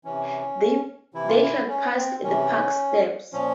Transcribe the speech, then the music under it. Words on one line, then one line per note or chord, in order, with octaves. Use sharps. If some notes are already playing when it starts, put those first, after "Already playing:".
They had passed the Park steps.
C3 E3 C#4
C3 E3 E4
F4
E4
C#4
C4
C3 E3 C#4
A#2 F3 C#4